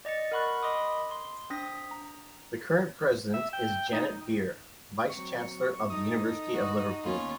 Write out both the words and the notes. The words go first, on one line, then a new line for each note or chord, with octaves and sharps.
The current president is Janet Beer, vice-chancellor of the University of Liverpool.
D5 D#5 A6 C#7
A#4 F#5 B5 C#6 F#6
D#5 B5 C6 D6 D#6
C6
C4 D4 D#6 A#6 B6
A#5
E5
G5
D#4
F#3 C4 C#6
D#4 A4 D#6
F#4
D#2 B3 C#4 F4